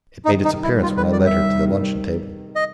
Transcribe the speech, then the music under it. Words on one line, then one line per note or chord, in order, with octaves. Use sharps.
It made its appearance when I led her to the luncheon table.
C3 D#3 G3 D#4
D#4
E4
F4
B4
D5
E5
D#5